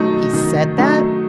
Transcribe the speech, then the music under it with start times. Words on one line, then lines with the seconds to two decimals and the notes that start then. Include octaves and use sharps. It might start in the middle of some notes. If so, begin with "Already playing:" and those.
"He said that?"
Already playing: D#3 F#3 A3 D#4
0.33 D#3
0.78 F#3 A3 D#4